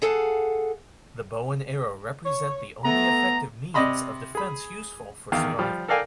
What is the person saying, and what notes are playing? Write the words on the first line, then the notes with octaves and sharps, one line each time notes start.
The bow and arrow represent the only effective means of defense useful for survival.
G#4 A4 F5 F#5 A5
C#5
A3 B3 A#5
C3 D5 D#5 B5 C6
G#4 B5
E2 D#3 F5
F3 G3
A4 A#4 D5 F5 G5 G#5